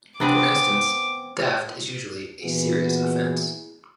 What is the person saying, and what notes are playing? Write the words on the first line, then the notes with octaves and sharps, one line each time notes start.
For instance, theft is usually a serious offence.
C3 B3 C4 D4 G#5 D6
A#2 E3 B3 E4 F#4 G#4